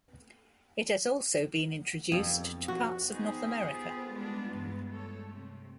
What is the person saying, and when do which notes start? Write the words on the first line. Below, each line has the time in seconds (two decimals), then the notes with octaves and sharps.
It has also been introduced to parts of North America.
2.12 F2
2.68 F#4
3.11 B3 D#4 G4 G#4 C5
3.62 B3 F4
4.10 G3 G#3 D4
4.54 G2 E3 G#3
4.91 G#3 A3 A4 C#5
5.34 C3